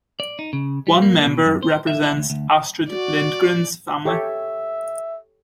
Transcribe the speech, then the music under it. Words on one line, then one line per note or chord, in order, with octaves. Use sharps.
One member represents Astrid Lindgren's family.
D5
D#4
C#3
G3
A#3
B2
F#2
C5
E5
E4
D2
D2
F#4 D5
G4 A4 C#5 E5